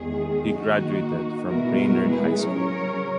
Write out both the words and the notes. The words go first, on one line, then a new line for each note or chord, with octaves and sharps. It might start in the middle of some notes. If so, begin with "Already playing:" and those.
He graduated from Brainerd High School.
Already playing: E2 D#3 G#3 G#4
D#3 A#3 D#4 F#4
B2 G#3 B3 E4 F#4 A#4
F#4 A#4
G#4 B4
C#3 F#3 C#4 A#4 C#5